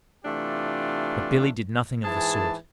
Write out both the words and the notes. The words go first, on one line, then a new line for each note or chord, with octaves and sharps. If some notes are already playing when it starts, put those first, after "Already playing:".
But "Billy" did nothing of the sort.
C3 E3 A3 D4 F4 G4
G#2 E3 G#4 A5